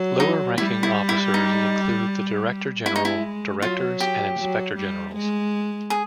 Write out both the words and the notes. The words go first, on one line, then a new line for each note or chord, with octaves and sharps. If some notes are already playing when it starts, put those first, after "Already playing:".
Lower ranking officers include the director general, directors and inspector generals.
Already playing: F#3
D#4
G3 E4
E4
E4
D#4
G#3 E4
D#4
E4
F#3 F4
G4
F#3
G3
G#3
G#4